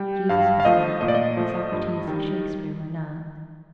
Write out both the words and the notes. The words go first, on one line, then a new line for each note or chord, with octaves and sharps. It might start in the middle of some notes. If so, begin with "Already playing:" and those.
Jesus was not; Socrates and Shakspeare were not.
Already playing: G3 G5
G2 F5
F5
F3 A3 D#5
A#2 D#5
D5
D#5
F3 A3
G2
D#3 G3